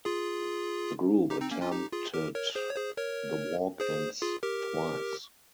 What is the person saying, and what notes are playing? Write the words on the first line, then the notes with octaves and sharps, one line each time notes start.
The group attempted the walk-ins twice.
F4 G#4
D#4 G4
C4 D#4
A#3 C#4
C#4 F4
D#4 G4
F4 G#4
G4 A#4
A#4 C#5
G#4 C5
C#5
G#4 C5
A#4 C#5
G#4 C5
F4 G#4
G4 A#4